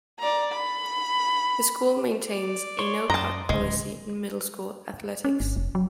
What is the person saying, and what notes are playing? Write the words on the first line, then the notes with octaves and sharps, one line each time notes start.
The school maintains a no-cut policy in Middle School athletics.
D5 A#5
B5
D5
C#5 C6 C#6
F#2 A5 A#5 C6 D#6
D1 C#2 G#3
C#4
G1
F1
F#3